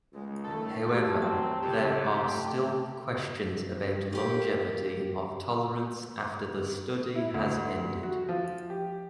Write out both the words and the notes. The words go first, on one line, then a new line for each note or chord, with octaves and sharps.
However, there are still questions about longevity of tolerance after the study has ended.
C#2 G#3
D#3 A3 A4
C2 F#4 G4
F#3 C4 A5
F2 C#3 C4 G4
C3 A3
A#3 G4
E4
D2
F#4
F3
G4